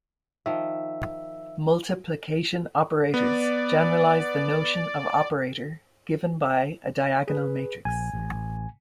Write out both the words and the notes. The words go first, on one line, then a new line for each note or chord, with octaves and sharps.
Multiplication operators generalize the notion of operator given by a diagonal matrix.
D#3 F3 E5
B3 D5
G#4 B4
A#1 G#5
A1